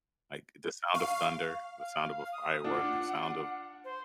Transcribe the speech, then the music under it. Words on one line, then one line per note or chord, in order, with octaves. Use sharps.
like, the sound of thunder, the sound of a firework, the sound of
F5 C#6
F5
D#6
D4 F4 F#5
C5